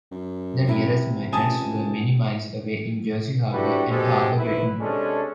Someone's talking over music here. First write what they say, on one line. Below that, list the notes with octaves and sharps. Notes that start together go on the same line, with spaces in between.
The nearest merchants were many miles away in Jersey Harbour and Harbour Breton.
F#2
C3 E4
C#2 G#5 A5 D#6
D4 E4 F#4 G4 A4 B4
F#2 B2 G#3 G4 A4 C5
G#1 E4 B4
C3 G#3 C#4 D4 G#4 A4